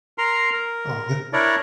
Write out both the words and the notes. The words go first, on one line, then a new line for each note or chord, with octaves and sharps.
Oh, th
A#4 A#5 C6
A#4
D4 E4 A#4 C#5 D5